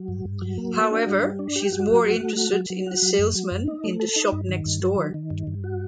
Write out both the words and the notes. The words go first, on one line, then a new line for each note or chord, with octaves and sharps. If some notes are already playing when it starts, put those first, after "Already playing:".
However she is more interested in the salesman in the shop next door.
Already playing: F#3
G2
G2
F#3
A#3
F#4
D4
G3
G3
D4
G4
F#4
F#3
F#4
A3
F#4
F#3
F#3
F#4
F#3
F#2
F#3
F#2
D#4
A3
A4
D#4
G2
D#3
G2
F#3
D#3
D#3
G2
G2
F#4